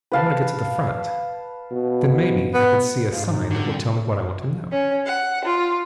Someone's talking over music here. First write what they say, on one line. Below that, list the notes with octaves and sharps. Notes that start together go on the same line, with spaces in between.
"I want to get to the front. Then, maybe, I can see a sign that will tell me what I want to know."
B4 F5 A5
B2
B3
G#2 F5
D#4
D3 F#4 G4
G3 C4
C#4
F#5
F4